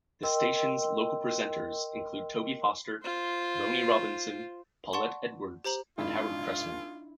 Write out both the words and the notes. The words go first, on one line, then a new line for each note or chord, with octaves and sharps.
The station's local presenters include Toby Foster, Rony Robinson, Paulette Edwards and Howard Pressman.
A#4 D#5 G5 C6 E6
F4 C5
D5 F#5 A5 C6 C#6
G4 C5 A#5 F#7
G#1 D4 E4 F4